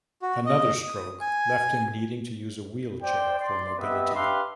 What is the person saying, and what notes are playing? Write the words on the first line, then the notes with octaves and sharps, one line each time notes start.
Another stroke left him needing to use a wheelchair for mobility.
F#4
D#5
D#6
G#5
C5 D5 G5
D5 C6
B3 C4 G4 B4 D#5 E5
D4 G4 B4 E5 F5 C6